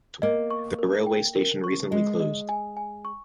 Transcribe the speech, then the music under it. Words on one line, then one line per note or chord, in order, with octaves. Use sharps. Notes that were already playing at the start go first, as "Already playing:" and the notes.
The rail way station recently closed.
A#3 D#5
C#6
A#4
G5
A#4
C#6
G#3 D#5
D#5
G#5
G#5
C#6